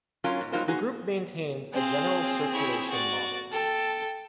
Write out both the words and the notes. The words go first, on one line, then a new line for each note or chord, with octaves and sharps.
The group maintains a general circulation model.
F#3 C#4 F4 A#4
G#2
F#3 G3 D#4 F4 A#4 C5
D#4 F#4 G#4
C4 G#4 C5 F5
E4 C#5
F#4 D5
A4 G5